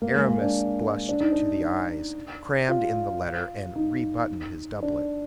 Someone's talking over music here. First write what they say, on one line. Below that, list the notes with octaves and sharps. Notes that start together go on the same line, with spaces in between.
Aramis blushed to the eyes, crammed in the letter, and re-buttoned his doublet.
A#3
G#3
A#3
D4
D4
D#4
D4
F4
D#4
D4